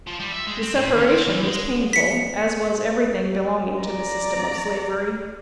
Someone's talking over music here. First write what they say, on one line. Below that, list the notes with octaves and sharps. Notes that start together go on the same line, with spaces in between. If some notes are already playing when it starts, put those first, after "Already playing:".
The separation was painful, as was everything belonging to the system of Slavery.
F3
G3
E5
G#3
C4
A2
D#2
C4
E3
G#3
B6 C#7
D5 A#5